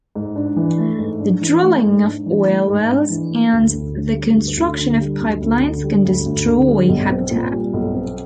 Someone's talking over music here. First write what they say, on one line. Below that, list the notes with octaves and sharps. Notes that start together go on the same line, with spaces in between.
The drilling of oil wells and the construction of pipelines can destroy habitat.
G#2
D4
E3
A3
G#2
D4
E3
A3
G#2
D4
E3
A3
G#2
D4
E3
A3
D2
D2
D3
G3
D2
D2
D3
G3
D2
D2
D3
G3
D2
D2
D3
G3
B1
C4
A#2
G3
B1
C4